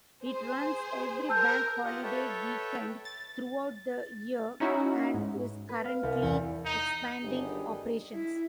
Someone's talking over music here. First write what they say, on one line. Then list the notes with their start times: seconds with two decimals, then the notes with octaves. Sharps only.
It runs every bank holiday weekend throughout the year and is currently expanding operations.
0.25 G#4 C5
1.29 A#4 A5 E6 G6
1.85 F4 G4 D#5 F#5
2.03 A4 B4 C#5 E5 G5 A5
3.05 A6
4.60 C#4 D#4 E4 F#4
5.14 G#2
5.69 B4
5.85 F5
6.03 C2
6.22 E2
6.65 D#4
7.23 G1 F#2 D#3 G3 D4 G4 G#4
8.12 E4